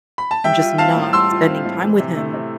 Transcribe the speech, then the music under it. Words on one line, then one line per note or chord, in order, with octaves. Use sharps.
and just not spending time with him,
B5
A5
G3 E5 G5
F4
C4 F5 A5
A2
G3 C6 E6
F4
C4
A2
E3
C3
A3
C3